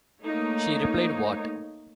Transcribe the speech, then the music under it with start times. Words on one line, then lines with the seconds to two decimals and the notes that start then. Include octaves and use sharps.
She replied: What!
0.24 A3 A#3 D#4 C#5